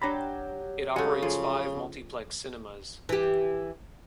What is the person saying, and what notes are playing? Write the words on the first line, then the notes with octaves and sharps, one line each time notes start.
It operates five multiplex cinemas.
F#3 D4 G4 A#5 B5
C#3 G#3 A3 F#4
F3 F4 G#4
E3 G4